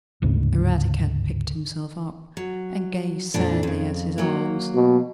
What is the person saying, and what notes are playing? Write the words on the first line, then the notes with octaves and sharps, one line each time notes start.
Eradicate picked himself up, and gazed sadly at his arms.
G1 D2 G#2 C#3
F#3
F2 A#2 D4
F2 C#3
F#3 A#3
B2